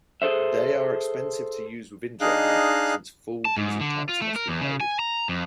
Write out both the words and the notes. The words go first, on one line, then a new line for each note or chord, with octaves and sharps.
They are expensive to use within Germany since full diesel tax must be paid.
G#4 A4 C5 E5
D4 D#4 G#4 D#5 F5 F#6
A5
G#2
D3
F4
A3
A#4
E2
C#3
G#5
A#5
F2